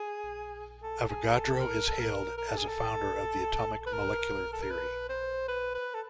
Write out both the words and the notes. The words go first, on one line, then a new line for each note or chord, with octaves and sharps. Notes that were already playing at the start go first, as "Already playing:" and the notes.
Avogadro is hailed as a founder of the atomic-molecular theory.
Already playing: G#4
A4
G#4
A4
A#4
A4
A#4
A#4
A4
G#4
A4
B4
A#4
A4
A#4
B4
C5
B4
B4
A4